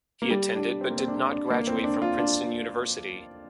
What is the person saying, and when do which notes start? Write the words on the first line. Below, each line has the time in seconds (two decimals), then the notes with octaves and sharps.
He attended but did not graduate from Princeton University.
0.22 A#3
0.31 G3
0.55 D4
0.81 C4
0.90 A#3
0.98 C4
1.08 D4
1.33 D4
1.50 A#3
1.67 C4
1.84 D4
2.02 F4
2.18 D4